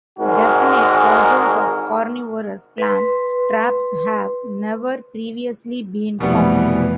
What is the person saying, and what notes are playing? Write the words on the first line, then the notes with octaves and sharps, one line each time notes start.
Definite fossils of carnivorous plant traps have never previously been found.
G#1 G#2 D3 G#3 F#4 A#4
B4 C6
F1 B2 E3 G3 B3